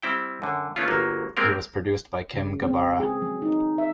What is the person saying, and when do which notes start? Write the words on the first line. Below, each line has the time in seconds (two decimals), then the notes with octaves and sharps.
It was produced by Kim Gabara.
0.02 G3 C4 E4 G5
0.42 F#2 D3
0.76 A3 B3 C#4 E4 F4
0.88 G1 F#3 A#3
1.37 G#3 A#3 C4 G4 A#4
2.34 C#3
2.62 C4
3.00 G#4
3.22 F#3
3.42 D#4
3.78 E5